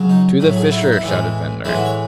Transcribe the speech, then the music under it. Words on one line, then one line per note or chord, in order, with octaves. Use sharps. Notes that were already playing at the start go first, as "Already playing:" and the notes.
"To the fissure!" shouted Ventnor.
Already playing: C#3 F#3
D#4
A2 F#3
G#4
E4
D#4
E4
A2 E3 G#3
A2 E3 G#3 E4
F#4
C#5